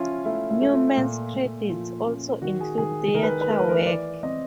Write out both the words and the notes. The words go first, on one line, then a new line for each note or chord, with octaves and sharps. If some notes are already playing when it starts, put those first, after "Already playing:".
Newman's credits also include theatre work.
Already playing: F3 C#4 E4 F4
A3 E4
E4
A3
F4
A#2
A#2
F3 F4
C#4
D#3 F#4
G#4
D#3 G#4
D#3 A#4
B4
A#4
B4
A3 A#4
B4
A#4
E3 D5
C4 D#5